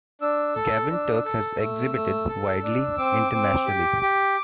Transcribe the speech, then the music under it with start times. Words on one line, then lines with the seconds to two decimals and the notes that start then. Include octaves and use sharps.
Gavin Turk has exhibited widely internationally.
0.22 D4 E6
0.56 A4
0.91 D4
1.25 A4
1.60 A3 E6
1.95 A3
2.29 A4
2.63 D4
2.98 C4 D6
3.32 C4
3.67 G4
4.02 G4